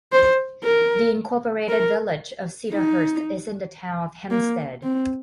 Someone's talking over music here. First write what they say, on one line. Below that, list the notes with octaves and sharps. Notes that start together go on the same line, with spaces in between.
The Incorporated Village of Cedarhurst is in the town of Hempstead.
C5
A#4
A#4
D#4
A#3
C4